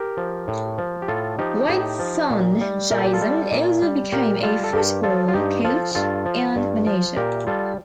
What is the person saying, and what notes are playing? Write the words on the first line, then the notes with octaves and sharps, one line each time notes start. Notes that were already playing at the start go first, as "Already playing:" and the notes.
Withe's son, Jason, also became a footballer, coach and manager.
Already playing: G4 A#4
F3
A2
F3
G4
A2 F4 A4
F3 D#4 G4
A2 D#4 G4
F3
A#2
G3
A#2 A#4
A4
G4
F4 A4
G3
A#2
G3
A#2 G4 A#4
G3 F4 A4
A4
G2 G4 A#4
F3 F4 A4
F4
G2 D#4 G4
F3 F4 A4
G2 F4 A4
F3
G2
F3
A#2 G4 A#4
G3 F4 A4